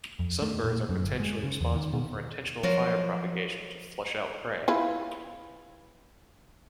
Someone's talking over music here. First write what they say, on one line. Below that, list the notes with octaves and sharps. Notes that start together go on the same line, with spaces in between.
Some birds are potentially responsible for intentional fire propagation to flush out prey.
F2
A3
A#2
F#2
G1
G#3
C#3
E2
D#3
B2
F3 F#3 F4 A#4
E4 F4 B4